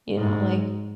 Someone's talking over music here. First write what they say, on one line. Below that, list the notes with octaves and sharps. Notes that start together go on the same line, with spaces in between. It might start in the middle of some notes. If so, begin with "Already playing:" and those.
you know, like,
G#2